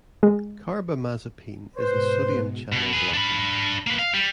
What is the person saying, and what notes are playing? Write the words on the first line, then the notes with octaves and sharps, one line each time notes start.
Carbamazepine is a sodium channel blocker.
G#3
G#2 B2 B4 C5
B2
G#4 B4
D4 B5
A#3 B4
F5
G3